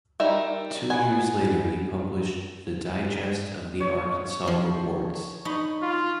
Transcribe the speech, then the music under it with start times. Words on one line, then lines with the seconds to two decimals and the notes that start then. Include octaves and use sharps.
Two years later he published the "Digest of the Arkansas Reports".
0.20 G3 D#4 A#4 E5 A#5
0.90 B3 G#5
3.80 C#5
4.47 F3
5.45 D#4 B5 C#6
5.82 F4